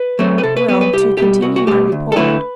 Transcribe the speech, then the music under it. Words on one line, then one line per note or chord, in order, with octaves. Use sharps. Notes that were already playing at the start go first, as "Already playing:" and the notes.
Well, to continue my report.
Already playing: B4
F#3 A3 C4
B4
C3 A4
B4
F#3 B3 B4
B4
C2 G4
B2 G3 G4
C2 F#4
F#4
B2 A3 G4
D2
A4
D3 A3 E4 B4